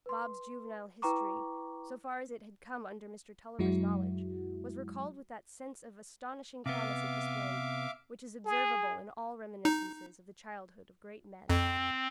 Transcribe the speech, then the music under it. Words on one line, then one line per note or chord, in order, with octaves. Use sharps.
Bob's juvenile history, so far as it had come under Mr. Tulliver's knowledge, was recalled with that sense of astonishing promise it displayed, which is observable in all reminiscences of the childhood of great men.
B4 C6
E4 B4 G5 A#5 C#6 D6
F#2 F#3 G#3 E4 F#4
C3 B3 E5 F5 D6
G#4
D#4
F2 C4